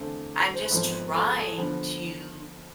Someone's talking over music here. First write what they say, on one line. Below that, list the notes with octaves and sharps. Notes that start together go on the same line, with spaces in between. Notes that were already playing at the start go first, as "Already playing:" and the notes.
I'm just trying to,
Already playing: E2 D3 A3 C4 A4
C5
B4
G#1 G#2 F3 B3 A4
B4
A4
G#4
A4
D3 F3 B3